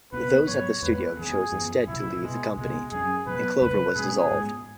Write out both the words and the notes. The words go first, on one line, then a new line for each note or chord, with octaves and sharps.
Those at the studio chose instead to leave the company, and Clover was dissolved.
C#2 B2 B3 B4
G#2 F#3 B3 C#5
E2 E3 G#3 B3 B4
F#2 E3 B3 G#4
F#2 E3 B3
C#2 B2 F#3 E4
B2 G#3 B3
C#2 B2 G#3 B3
F#2 F#3 C#4 G#4
B2 F#3 B3 B4
E2 C#3 F#3 C#4 B4
B2 G#3 C#4 G#4
G#2 G#3 B3